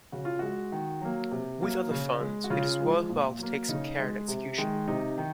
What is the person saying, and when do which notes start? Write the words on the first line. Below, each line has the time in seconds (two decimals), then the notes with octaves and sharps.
With other funds, it is worthwhile to take some care in execution.
0.12 C#3 F#4
0.25 F4
0.39 G#3 F#4
0.72 D#3
1.02 F#3 A#3
1.32 C3
1.61 F#3 A#3
1.91 C#3
2.20 G#3
2.44 F#4
2.50 C#3 F4
2.80 F3 G#3
3.09 A#2
3.39 F#3 A#3
3.69 C#3 D#4
3.99 G#3
4.28 C3
4.58 D#3 G#3
4.88 C3 D#4
5.18 D#3